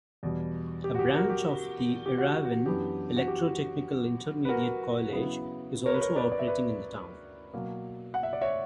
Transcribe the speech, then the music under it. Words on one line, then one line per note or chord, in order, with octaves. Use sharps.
A branch of the Yerevan electro-technical intermediate college is also operating in the town.
E2 B2 G3
G4
F#4
G4
G4
F#4 A#4
G4
G4
F#4
F#4
F#2 E3 B3 D4 G4
F#4
G4
B4
F#4 A#4
C#3 F#3 B3 E4
A#4 C#5
B4
A#4 C#5
B4 D5
D5
E5
B4 D5
B2 F#3 A#3
F#5
E5
D5
C#5 E5